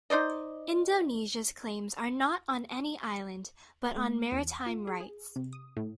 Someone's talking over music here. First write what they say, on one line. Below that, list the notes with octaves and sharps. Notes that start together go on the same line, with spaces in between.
Indonesia's claims are not on any island, but on maritime rights.
D#4 C5 D5 D#5
A3
E2
F#5
F4
G#4
G#4
C3
D#6
A2